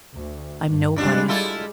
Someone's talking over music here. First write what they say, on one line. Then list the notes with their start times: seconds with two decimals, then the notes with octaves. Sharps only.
I'm nobody.
0.13 D2
0.67 G2
0.96 F2 G3 G#3 D4
1.28 E4 F4 A4